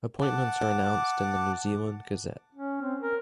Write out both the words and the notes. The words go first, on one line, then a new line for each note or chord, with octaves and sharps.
Appointments are announced in the New Zealand Gazette.
F#5 A5 D6
C#4
C4
A#4